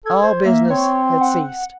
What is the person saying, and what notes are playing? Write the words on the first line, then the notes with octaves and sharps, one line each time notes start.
All business had ceased.
A4 G#6
C5
A#3 E5
C4 C#5
F#5